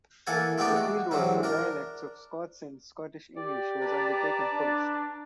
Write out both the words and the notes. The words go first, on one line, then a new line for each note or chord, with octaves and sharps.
The fieldwork for dialects of Scots and Scottish English was undertaken first.
E3 A#3 A4 F#5 G#5 A5
G#3 A3 B3 D#4 G4 D5
F#4
G#2 E3 F#3 G3 C4
D4 A#4
G4 D5
B4 A5 A#5
D4